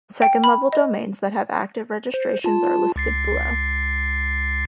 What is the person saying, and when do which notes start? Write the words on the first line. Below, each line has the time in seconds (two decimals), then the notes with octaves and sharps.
Second-level domains that have active registrations are listed below.
0.22 G5
0.44 B5
0.73 D#5
2.14 C5
2.44 F4 A5
2.96 C#2 A6 C7